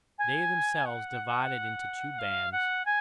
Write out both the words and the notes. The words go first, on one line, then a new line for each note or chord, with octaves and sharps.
They themselves divided into two bands.
G#5
F#5
F5
F#5
G#5